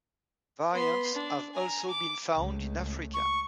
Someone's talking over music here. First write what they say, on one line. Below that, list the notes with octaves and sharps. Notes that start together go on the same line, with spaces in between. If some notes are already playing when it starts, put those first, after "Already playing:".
Variants have also been found in Africa.
B3 C6
D4
G#5 A#5
D6
C#2 G#3 A3
C#6